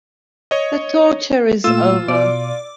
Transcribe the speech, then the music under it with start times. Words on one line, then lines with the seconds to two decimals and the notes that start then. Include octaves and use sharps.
The torture is over.
0.51 C#5 D#5
1.64 A#2 A3 F4 E6
2.08 B2 D5